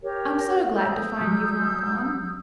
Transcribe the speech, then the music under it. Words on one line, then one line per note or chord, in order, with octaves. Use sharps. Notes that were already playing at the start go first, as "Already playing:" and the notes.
"I'm so glad to find you've not gone."
G4 A#4 C#5
D#6 E6 G6
F#3 G3